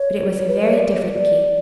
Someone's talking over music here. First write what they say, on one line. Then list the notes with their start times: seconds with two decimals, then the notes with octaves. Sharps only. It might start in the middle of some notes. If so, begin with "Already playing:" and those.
But it was a very different Keith.
Already playing: C#5
0.48 B4
0.61 C#5
0.74 D5